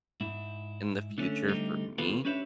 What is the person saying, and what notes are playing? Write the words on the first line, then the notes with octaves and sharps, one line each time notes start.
in the future for me
G#2 E4
D3 A3 C#4
D3 G3 A3 C4 D#4 G4
D#3 B3 F4 G4 A4 B4
C#4 D4 G4 B4 C#5 E5